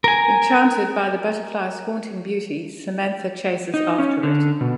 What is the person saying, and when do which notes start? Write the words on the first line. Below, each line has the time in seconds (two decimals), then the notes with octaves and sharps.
Enchanted by the butterfly's haunting beauty, Samantha chases after it.
0.04 A#4 G#5
3.74 D#4
3.98 C#4
4.23 D3
4.61 B2